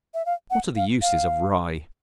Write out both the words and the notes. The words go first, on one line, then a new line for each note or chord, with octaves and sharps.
What are the uses of Rye?
E5
F5
F#5
F5
F5